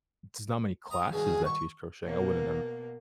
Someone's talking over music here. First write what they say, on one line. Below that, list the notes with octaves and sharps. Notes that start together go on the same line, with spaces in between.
there's not many classes that teach crochet I wouldn't
A#5 D#6
G2 B2 D#3 G#4
C#6
B2 A#3